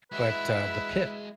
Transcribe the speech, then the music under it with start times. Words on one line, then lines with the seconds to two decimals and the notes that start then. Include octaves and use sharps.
but, uh, The Pitt
0.12 G#3 E4 F#4 B4 E5